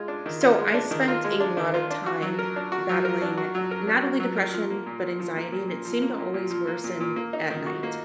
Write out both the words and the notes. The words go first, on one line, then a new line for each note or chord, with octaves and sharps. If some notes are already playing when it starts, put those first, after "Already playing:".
So, I spent a lot of time battling, not only depression, but anxiety, and it seemed to always worsen at night.
Already playing: G#3 F4
D4
D#3
F4
G#3
D4
D#3
F4
G#3
D4
D#3
F4
D4
F#4
F#3
A#4
D4
F#4
F#3
A#4
D4
F#4
F#3
A#4
D4
F#4
F#3
A#4
F3
A#3
A#2
A#2
F3
A#3
A#2
A#2
F3
A#3
A#2
A#2
F3
A#3
A#2
A#2
A#3
D#4
D#3
F#4
A#3